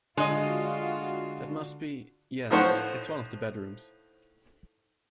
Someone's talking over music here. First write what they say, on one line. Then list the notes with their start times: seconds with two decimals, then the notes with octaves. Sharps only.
That must be — yes — it's one of the bedrooms.
0.17 D3 G#3 F4 F#4 D#5
2.50 A2 D#3 F3 C5 C#5 F#5